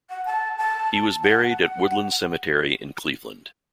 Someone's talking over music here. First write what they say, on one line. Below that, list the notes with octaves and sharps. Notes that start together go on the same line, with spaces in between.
He was buried at Woodland Cemetery in Cleveland.
F#5
A5
A5
F#5
F#5